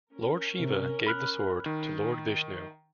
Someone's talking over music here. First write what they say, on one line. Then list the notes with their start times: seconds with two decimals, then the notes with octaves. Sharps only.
Lord Shiva gave the sword to Lord Vishnu.
0.12 C#4 A#4
0.60 C3
1.07 B5 F6 F#6
1.66 D#3